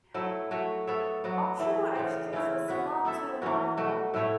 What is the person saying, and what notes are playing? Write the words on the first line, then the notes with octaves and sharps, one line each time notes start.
Optional extras were similar to the Mark One.
F#3 A3 E4
A3 F#4 C#5
B3 A4 C#5 E5
F#3 B3 F#4
E3 A3 E4
C#3 E3 B3
C#3 E3 C#4 E4
B3 F#4 B4
B3 E4 A4 E5
E3 C#4 F#4
B2 A3 F#4
A2 A3 E4 C#5